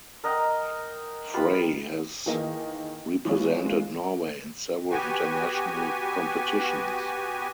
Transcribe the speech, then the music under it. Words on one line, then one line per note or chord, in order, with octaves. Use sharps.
Frey has represented Norway in several international competitions.
A#4 D#5 F#5 G5
F4 G4 B4 B5
D#3 E3 A#3 G#4 A#4 D#5
E3 F#3 G#3 B3 C#4 F4
G#3 F4
B3 F#4 G4 G#5